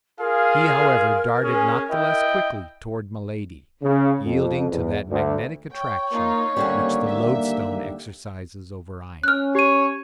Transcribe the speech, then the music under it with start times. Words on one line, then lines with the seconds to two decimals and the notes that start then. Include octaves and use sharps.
He, however, darted not the less quickly toward Milady, yielding to that magnetic attraction which the loadstone exercises over iron.
0.19 F4 G#4 A#4 F5
1.42 C#4 G#4
1.90 E4 D#5 G5
3.83 C#3
4.24 F2
4.71 E2
5.09 D2
5.71 C#5 G5
6.12 A#3 D#4 F4
6.57 D#2 D3 G3 A#3 C4 C#4
7.06 E5
9.24 C#4 F6 F#6
9.55 G4 C#5 D#7